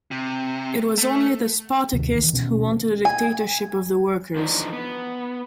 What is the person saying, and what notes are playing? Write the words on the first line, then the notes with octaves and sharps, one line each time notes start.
It was only the Spartacists who wanted a dictatorship of the workers.
C3
A3
D2 C3 D#3
D#3 E3
B2 B3 C#4
G#5
D3 E3 F3 D#4
B3